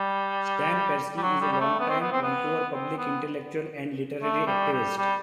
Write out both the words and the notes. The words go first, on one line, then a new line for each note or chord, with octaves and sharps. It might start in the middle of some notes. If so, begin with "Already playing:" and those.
Stan Persky is a long-time Vancouver public intellectual and literary activist.
Already playing: G3
G3
F#3
G3
G3
A3
B3
C4
B3
C4
B3
C4
B3
A3
G3
G3
G3